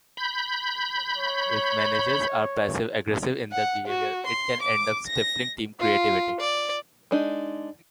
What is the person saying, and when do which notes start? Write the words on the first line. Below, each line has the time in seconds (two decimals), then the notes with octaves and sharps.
If managers are passive-aggressive in their behavior, it can end up stifling team creativity.
0.17 B5 G6
1.16 C#5
3.52 F#5
3.87 F#4
4.26 C6
4.62 D6
5.07 A#6
5.80 F4
6.40 D5
7.11 G#3 D4 D#4